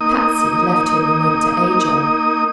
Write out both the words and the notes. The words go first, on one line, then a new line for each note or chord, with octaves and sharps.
Patsy left him and went to Ajo.
A#3 D#4 D#6